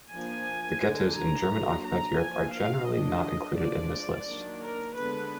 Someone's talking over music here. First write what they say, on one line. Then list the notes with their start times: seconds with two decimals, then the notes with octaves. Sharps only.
The Ghettos in German-occupied Europe are generally not included in this list.
0.12 F3 A#3 D4 G#5
0.82 D3 G#3 D4
1.16 A#5
1.51 F#3 A#3 D4
1.84 A#5
2.19 F3 A#3 D4 G#5
2.54 F5
2.89 F#3 D4 D#5
3.57 F3 G#3 D4 D5
4.27 D#3 F#3 A#3 D4
4.61 A#4
4.95 D3 G#3 B3 D4 B4